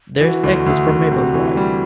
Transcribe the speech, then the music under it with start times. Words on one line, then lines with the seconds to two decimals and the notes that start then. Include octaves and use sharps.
There is access from Maple Drive.
0.20 E3 F#4
0.44 D2
0.66 D2
0.89 D2
1.11 C3
1.34 E3
1.57 G3